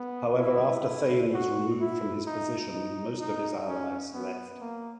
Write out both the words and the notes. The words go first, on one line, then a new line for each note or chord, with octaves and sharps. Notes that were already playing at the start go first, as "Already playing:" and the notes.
However, after Thain was removed from his position, most of his allies left.
Already playing: B3
E4
E4
F#4
E4
D#4
D#4
D#4
C#4
B3
A#3